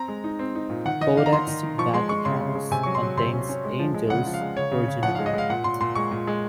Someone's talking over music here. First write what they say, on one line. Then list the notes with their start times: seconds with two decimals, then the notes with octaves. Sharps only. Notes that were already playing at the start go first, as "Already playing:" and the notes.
Codex Vaticanus contains "angels" originally.
Already playing: C4 A#5
0.08 G#3
0.24 D#4
0.39 C4
0.55 D#4
0.70 A#2
0.85 D#3 F#5
1.01 D#3 D#5
1.17 D#3 F5
1.26 A#5
1.32 D#3 C6
1.47 D#3
1.63 D#3
1.78 F3 C#6
1.93 G#3 C6
2.09 G#3 C#6
2.25 C#3 C6
2.41 C#3
2.55 G#3
2.71 C3 G#5
2.83 F#3 C#6
2.95 C6
3.03 F#3
3.17 C3 C6
3.33 C#4
3.49 C#4
3.65 G#3
3.79 F3
3.94 G#3
4.10 C#3 F#5
4.26 F3
4.34 F5
4.41 G#3
4.56 C#3 C#5
4.72 C#3
4.88 C#3
5.03 F3 F#5
5.15 G#3 F5
5.26 D#5
5.33 G#3 F5
5.49 A#2 F#5
5.64 A#2 C6
5.81 A#2 C6
5.95 G#3 C#6
6.11 A#2
6.27 G#3